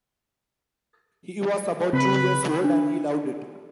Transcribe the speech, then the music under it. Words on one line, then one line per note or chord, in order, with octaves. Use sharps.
He was about two years old, and he loved it.
C#3 C4 B4 B5
D4